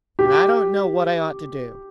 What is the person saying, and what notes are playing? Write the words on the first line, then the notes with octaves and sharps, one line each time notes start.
And I don't know what I ought to do.
G4